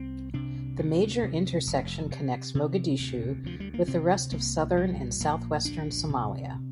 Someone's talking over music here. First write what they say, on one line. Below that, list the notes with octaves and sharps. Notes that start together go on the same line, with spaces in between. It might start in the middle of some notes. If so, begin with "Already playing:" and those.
The major intersection connects Mogadishu with the rest of southern and southwestern Somalia.
Already playing: C2 C4
C3 D4
D2
C3
F1
C3
C3
D2
D2 F3
G3
A#3
C3 C4
C2 A#3
A#2 G3
A#1 A#3
D2 D4
C3